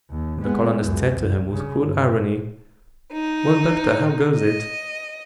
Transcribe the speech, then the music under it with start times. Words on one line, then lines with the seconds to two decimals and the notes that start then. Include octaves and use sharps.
The colonist said to him, with cruel irony, 'Well, doctor, how goes it?
0.10 D#2
0.42 G#3 B3
0.81 C#2 F#2
1.17 C2
1.51 C#3
1.82 G2
3.12 D#4
4.37 D#5